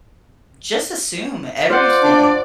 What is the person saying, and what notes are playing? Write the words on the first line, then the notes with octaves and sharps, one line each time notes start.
just, assume everything
F4 C5 D5 F#5
D4